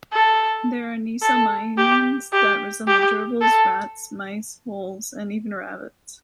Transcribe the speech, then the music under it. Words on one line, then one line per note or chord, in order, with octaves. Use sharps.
There are nesomyines that resemble gerbils, rats, mice, voles, and even rabbits.
A4
A4
G4
G4
G4
A4